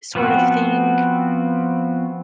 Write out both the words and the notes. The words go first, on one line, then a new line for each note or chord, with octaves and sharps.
sort of thing
F3 B3 C4 F#4